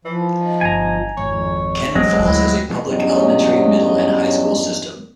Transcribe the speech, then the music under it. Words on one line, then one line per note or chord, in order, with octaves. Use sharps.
Cannon Falls has a public elementary, middle, and high school system.
E3 F3
D#4
G1 G#5 A#5
G#1 F2 C#5
A1 F#3 G#3 C4 D#5
D2 E4
E2 G2 F#3 C#4 D#5